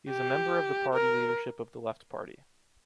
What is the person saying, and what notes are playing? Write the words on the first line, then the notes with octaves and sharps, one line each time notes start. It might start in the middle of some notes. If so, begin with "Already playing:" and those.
He is a member of the party leadership of the Left party.
G4
A#4